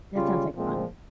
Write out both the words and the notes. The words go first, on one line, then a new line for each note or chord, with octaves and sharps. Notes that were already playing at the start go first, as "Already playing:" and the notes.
that sounds like fun.
C#3 G3 C#4 F4
A#2 F3 G#3 C4